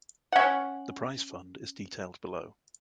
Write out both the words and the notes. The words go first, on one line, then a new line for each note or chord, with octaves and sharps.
The prize fund is detailed below.
C#4 F#5